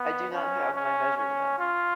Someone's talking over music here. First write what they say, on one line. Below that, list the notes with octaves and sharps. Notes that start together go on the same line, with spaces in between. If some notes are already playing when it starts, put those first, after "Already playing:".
I do not have my measure now.
Already playing: B3
C#4
C#4
C#4
F4